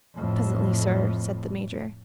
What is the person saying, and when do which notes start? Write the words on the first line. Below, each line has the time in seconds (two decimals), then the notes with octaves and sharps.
"Presently, sir," said the Major.
0.15 F2 A2